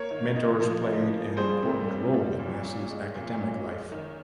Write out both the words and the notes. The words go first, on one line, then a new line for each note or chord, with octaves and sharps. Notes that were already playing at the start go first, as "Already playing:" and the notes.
Mentors played an important role in Massey's academic life.
Already playing: A#3 A#4 C#5
D#3
D#4
F3
C#3
A#3
G3 G#4 C5
C3
C#4
G3
A#2
C#4
G#3
A#2
C#4
G#3
D#3